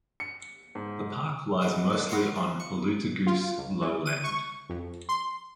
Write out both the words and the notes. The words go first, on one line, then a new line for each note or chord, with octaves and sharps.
The park lies mostly on Alutaguse Lowland.
C#7
G#2
E3 F#3 G#3
D#2 D3
C5 C#5 F5 F#5 A#5 B5
F3
C#6
F4
C#2
E3
D#7
C#6
F2
C6